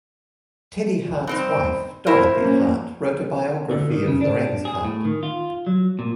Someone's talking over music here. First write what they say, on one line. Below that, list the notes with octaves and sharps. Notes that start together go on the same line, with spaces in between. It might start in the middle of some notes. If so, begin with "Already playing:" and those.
Teddy Hart's wife, Dorothy Hart, wrote a biography of Lorenz Hart.
G2 C4 D#4
E4 A#4 C5
A#3 C#4
D3
D#3
C#3
D4
G#4
A2
D#3
F4
F#3
A#2